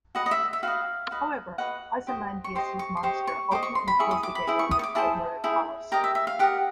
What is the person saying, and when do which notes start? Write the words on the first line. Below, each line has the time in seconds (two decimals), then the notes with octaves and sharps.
However, Ozymandias' monster ultimately kills the gang leader that murdered Hollis.
0.15 F#4 B4 D#5 F#5
0.26 D#5
0.31 E5
0.53 E5
0.63 F#4 B4 D#5 F5
1.11 F#4 B4 D#5
1.58 F#4 B4 D#5 F#5
2.07 G4 C5 D#5
2.44 C#6
2.55 G4 C5 D#5 C6
2.79 C#6
2.97 C6
3.03 G4 C5 D#5 C#6
3.27 C#6
3.51 G4 C5 D#5 D6
3.63 C#6
3.75 C6
3.88 B5
3.99 E4 G#4 C#6
4.11 D#6
4.23 D6
4.35 B5
4.47 E4 G#4 C5
4.59 C#6
4.71 D#6
4.79 C#6
4.84 D6
4.95 E4 G#4 C5 A5
5.44 E4 G#4 C5
5.92 G4 A#4 D#5 A#5
6.04 E5
6.15 E5
6.27 F5
6.39 G4 A#4 D#5 F#5